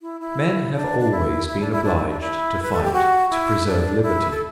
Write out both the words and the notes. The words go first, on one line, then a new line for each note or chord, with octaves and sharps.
Men have always been obliged to fight to preserve liberty.
E4
E4
D4
D4
E4
E4
D4
E4
D4
E4
D4
E4
B4
A4
G4
F#4
E4
D4
E4
A4